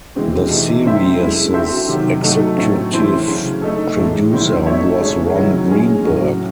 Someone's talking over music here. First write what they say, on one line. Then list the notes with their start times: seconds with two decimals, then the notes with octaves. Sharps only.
The series' executive producer was Ron Greenberg.
0.15 E3 G#3 C4 F#4
0.50 C3 E3 A3 D#4
0.85 F#3 C4 E4 C5 E5
1.20 G#3 C#4 E4 A4
1.54 C4 F#4 A4 C5 E5
1.88 C3 D#3 F#3
2.23 F#3 A3 D#4 F#4 A4
2.58 A2 F#3 A3 C4
2.92 E3 A3 C4 E4 C5
3.27 C#3 F#3 C#4
3.62 A3 D#4 A4
3.96 A2 E3 G#3
4.31 D#3 F#3 C4 E4 C5
4.66 A3 D#4 F#4 C#5 E5
5.00 C#3 G#3 D#4 G#4 C#5
5.35 D#3 F#3 C#4 E4
5.69 G#3 C#4 G#4
6.04 A2 F#3 C#4 F#4